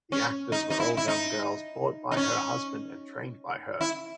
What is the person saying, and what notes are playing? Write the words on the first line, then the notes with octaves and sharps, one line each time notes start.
The actors were all young girls bought by her husband and trained by her.
C#4
D#4
D#4
E4
E4
D#4
D#4
C#4
E4